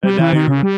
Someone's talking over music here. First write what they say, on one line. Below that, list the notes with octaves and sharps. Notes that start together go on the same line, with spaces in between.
and now you're
G3
E3
D#3
C#3
G3